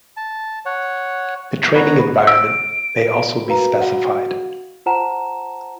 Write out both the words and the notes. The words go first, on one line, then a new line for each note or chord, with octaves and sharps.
The training environment may also be specified.
A5
C#5 F#5
B3 B4 C#5 F#5 A#5
E6 D7
F#4 A#4 B4 F5 A#5
F#4 F5 F#5
F4 C5 F#5 A5 A#5 E7